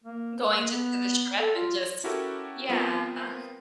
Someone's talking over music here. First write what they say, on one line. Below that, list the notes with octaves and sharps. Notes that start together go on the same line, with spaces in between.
Going to to the strip and just yeah.
A#3
A#3
B3
A4
F4
C#4 E4 F#4 G4 A4 A#4
G3 B3 C4 F4 A#4